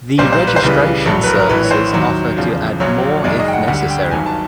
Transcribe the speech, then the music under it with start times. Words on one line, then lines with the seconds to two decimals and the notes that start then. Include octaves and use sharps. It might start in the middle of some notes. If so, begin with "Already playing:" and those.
The registration services offer to add more if necessary.
0.18 B1 A#2 G3 C5
0.32 C5
0.47 B4
0.56 C5
0.62 C#2 C#3 E3 G3 B4
1.06 A#1 A2 F#3 A4
1.24 B4
1.27 A#4
1.40 A#4
1.49 A#1 A2 E3 B4
1.64 C#5
1.71 C5
1.93 D#2 D#3 F#3
2.37 E2 C#3 F3
2.80 A#1 A#2 F#3 C#5
3.24 F#1 F#2 D#3 G#3 D5
3.40 D#5
3.48 G5
3.53 F#5
3.68 D2 D3 G3 F#5
3.90 G5
4.11 G1 G2 D#3 F#3 G#5
4.26 A5